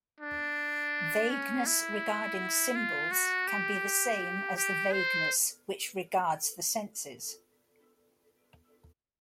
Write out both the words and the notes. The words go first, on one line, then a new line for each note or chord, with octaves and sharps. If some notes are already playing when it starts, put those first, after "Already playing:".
Vagueness regarding symbols can be the same as the vagueness which regards the senses.
D4
C#4
E4
F4
F#4
G4
G4
C5